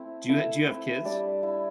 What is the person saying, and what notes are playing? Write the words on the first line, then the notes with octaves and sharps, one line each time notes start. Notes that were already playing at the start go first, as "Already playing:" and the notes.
do you do you have kids?
Already playing: A3 C4 E4
A3 E4 E5
C4 E4
G3 D4 D5
E4